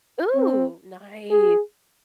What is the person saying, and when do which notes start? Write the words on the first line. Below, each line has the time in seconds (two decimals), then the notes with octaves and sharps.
Ooh, nice.
0.36 C4
1.31 G#4